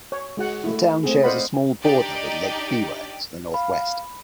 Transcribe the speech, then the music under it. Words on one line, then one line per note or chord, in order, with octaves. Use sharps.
The town shares a small border with Lake Biwa to the northwest.
C#5
G#3 F#4 F#5
A3 E4
A3 C4 G#4
C5 D5 D#5 F5 F#5 B5
D4 D#4 G4 D5
F5 B5